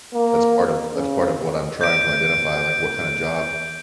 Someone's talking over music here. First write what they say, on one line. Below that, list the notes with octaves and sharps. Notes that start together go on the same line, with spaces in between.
That's part of that's part of what I'm trying to identify, like, what kinda job
A#3
C#3
G6 D7